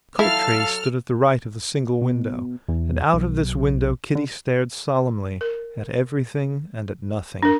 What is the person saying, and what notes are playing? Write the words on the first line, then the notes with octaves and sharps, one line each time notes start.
The coat tree stood at the right of the single window, and out of this window Kitty stared solemnly, at everything and at nothing.
F#3 E4 A4 F5 A5 F6
B2
E2
B1
D3
A#4
D4 A#4